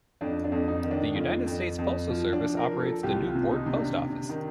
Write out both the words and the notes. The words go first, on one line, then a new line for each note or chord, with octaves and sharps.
The United States Postal Service operates the Newport Post Office.
F2 D4
D4
F2
D#4
D#3
D4
F2 F4
F2
F2
F3 F4
D4
F3
A#4
F3
A4
C2 G4
F4
C3
D#4
C3
D4
C3
D#3